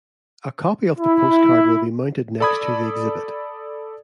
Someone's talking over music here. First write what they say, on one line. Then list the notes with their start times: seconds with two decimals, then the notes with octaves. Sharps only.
A copy of the postcard will be mounted next to the exhibit.
0.98 E4
2.40 A4 D5 B5 D#6 G#6